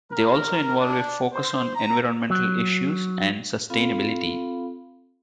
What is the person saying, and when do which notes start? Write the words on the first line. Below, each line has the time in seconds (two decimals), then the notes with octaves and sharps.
They also involve a focus on environmental issues and sustainability.
0.11 A#4
0.79 D4
1.33 C5
1.75 A#5
2.30 F#3
3.70 C4 F4 A4 F5 B5